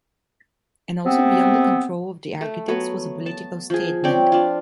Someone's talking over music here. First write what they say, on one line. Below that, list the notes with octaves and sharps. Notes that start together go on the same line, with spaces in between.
And also beyond the control of the architects was a political statement.
C3 B3 C4
A3
F#3 B3
A5
F3 G#4
C4 C#5 D5 G5
D4 F4